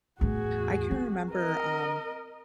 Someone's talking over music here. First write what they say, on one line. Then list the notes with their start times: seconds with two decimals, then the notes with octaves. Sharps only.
I can remember, um,
0.21 E2 A2 F#4 G#4
0.91 C4
1.32 A#4 D#5